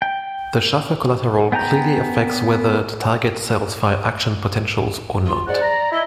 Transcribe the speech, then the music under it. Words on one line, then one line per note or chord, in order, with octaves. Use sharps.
The Schaffer collateral clearly affects whether the target cells fire action potentials or not.
G5
B3 G5 G#5 A#5 G6
F4
G#2 D5 F#5
A#5
E4 D#5